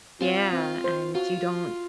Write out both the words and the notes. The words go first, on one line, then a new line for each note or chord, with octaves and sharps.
Yeah, and you don't
C4 F4
C4
C5
F4 F#4